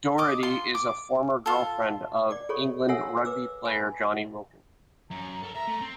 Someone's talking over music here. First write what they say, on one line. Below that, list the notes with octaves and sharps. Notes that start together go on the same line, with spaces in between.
Dougherty is a former girlfriend of England rugby player Jonny Wilkinson.
D#5 D6
F4 C6
D6
F4 A4
D5 D6
G#4 A4 C#5 B5 C#6
A4 C#5 E5 F#5 G#5 E6
B4 D6 E6
G#5 B5
F#2 A#5
A4 A#4
E5 A#5
A3
C4